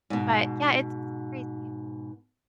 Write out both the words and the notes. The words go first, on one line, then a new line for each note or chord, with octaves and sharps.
But, yeah, it's crazy.
G#2 B2